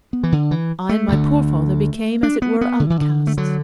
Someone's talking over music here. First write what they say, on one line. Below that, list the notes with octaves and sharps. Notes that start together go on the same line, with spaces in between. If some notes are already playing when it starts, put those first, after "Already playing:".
I and my poor father became as it were outcasts.
B3
E3
D3
E3
A3
D2 D3
D4
B3
B3
D3
E3
D3
A3
D3 F#3